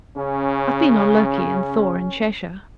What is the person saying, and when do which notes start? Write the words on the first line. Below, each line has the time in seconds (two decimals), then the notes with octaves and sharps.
"I've been on Loki and Thor and Shesha."
0.17 C#3 C#4